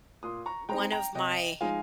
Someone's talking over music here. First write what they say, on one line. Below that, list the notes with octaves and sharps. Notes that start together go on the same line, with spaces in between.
one of my
A#2 C6 D#6
A#5 C#6
G#3 C4 D#4 G5 A#5
G5 A#5
C3 D#5 G5
F3 G#3 D#4 F5 G#5